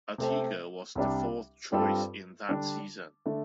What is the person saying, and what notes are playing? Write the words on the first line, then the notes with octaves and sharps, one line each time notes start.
Arteaga was the fourth choice in that season.
C3 A3 C4 A4 C5
C2 C3 G3 D4
G2 G3 C4 F4 A4
D3 G3 D4
D3 A3